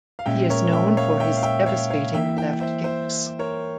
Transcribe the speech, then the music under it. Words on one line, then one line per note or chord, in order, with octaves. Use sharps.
He is known for his devastating left kicks.
F5
A#2 G#3 C#4 E5 G5
A#4 C#5
E5 G5
C#5 F5
E5 G5
F5
E5 G5
C#5 F5
C#5 F5
E3 A#3 E4 E5 G5
E5 G5
C5 E5
C5 E5
A#4 C#5